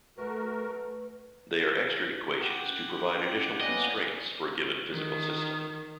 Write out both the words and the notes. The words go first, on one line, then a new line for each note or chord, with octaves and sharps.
They are extra equations to provide additional constraints for a given physical system.
A3 F#4 A#4 B4
G4 F#5
C#4
A#3 B3 C#4 D5 D#5
D#3